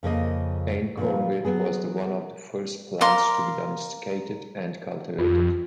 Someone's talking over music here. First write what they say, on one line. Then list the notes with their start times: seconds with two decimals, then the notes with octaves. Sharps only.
Einkorn wheat was one of the first plants to be domesticated and cultivated.
0.03 F2 C#3 A#3 D#5
0.97 A#2 F3 B4
1.45 F#3 B3 G#4
3.01 A#4 F5 C6 D6
5.19 F2 F4